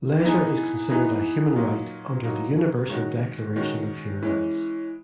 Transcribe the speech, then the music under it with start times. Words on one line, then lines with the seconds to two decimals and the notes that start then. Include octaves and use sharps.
Leisure is considered a human right under the Universal Declaration of Human Rights.
0.23 E3 B3 D#4 G#4
0.89 E3 B3 D#4 G#4
1.56 A#2 F#3 A#3 D#4
2.23 A#2 F#3 A#3 D#4
2.90 D#3 G#3 C#4 F#4
3.56 D#3 G#3 C#4 F#4
4.23 E3 G#3 C#4